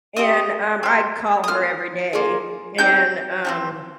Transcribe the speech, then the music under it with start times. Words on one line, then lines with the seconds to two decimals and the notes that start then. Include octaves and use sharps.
And, um, I'd call her every day and, um,
0.16 C4 G4 D#5 D#6
0.83 C4 G4
1.44 D#6
1.48 A#3 F4 F6
2.13 A#3 F4 G#4
2.78 C4 D#4 G4 G5 G6
3.45 C4 D#4 G4